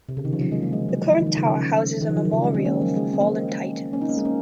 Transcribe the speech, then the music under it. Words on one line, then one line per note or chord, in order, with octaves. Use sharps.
The current tower houses a memorial for fallen Titans.
C3
C#3
D#3
F3
F#3
G#3
F#3 A#3
G#3
F#3
F#3
F3
D#3
F3
C#3
D#3
F3
F#3
F3
C#3
G#3
G#3 C4
A#3 C#4
F#3
G#3
G#3 C4
A#3 C#4
A#3 C#4
C4 D#4
A#3 C#4
G#3 C4
A#3 C#4